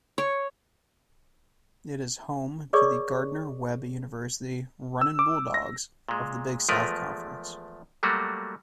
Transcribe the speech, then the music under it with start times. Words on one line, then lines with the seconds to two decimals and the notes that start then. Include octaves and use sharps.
It is home to the Gardner-Webb University Runnin' Bulldogs, of the Big South Conference.
0.18 C#5
2.73 G#4 A#4 C#5 D5 C#6 D6
5.01 E6
5.19 D6
5.54 A#6
6.09 A#2 G#3
6.69 E2 F3 G#3 A3 A#4 B4
8.03 F#3 G3 A3 A#3 F#4